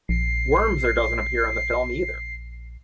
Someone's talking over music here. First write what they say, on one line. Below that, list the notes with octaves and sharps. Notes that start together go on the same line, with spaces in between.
Wormser doesn't appear in the film either.
A#1 C7